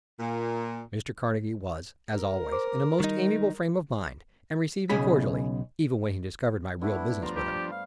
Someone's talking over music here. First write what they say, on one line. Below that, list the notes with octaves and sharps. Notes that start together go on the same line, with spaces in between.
Mr. Carnegie was as always in a most amiable frame of mind, and received me cordially, even when he discovered my real business with him.
A#2
A#4
C5 D6
D#3 G3 D#4
B1 C#3 G#4 B5
G3 A3 B3 D4 E4
G2 F3 D4 C5 A#5
G4
F5